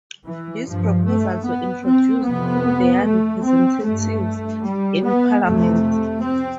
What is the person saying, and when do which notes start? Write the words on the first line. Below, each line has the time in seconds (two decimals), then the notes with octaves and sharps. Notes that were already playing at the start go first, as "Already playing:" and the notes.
These proposals were introduced through their representatives in Parliament.
0.26 E3
0.66 G2 F3
1.06 A3
1.45 B3
1.85 C4
2.25 F2 C3 B3
3.04 A3
3.44 C4
3.84 G2 A3
4.64 G3
5.03 B3
5.43 F2 C3 A3
6.22 C4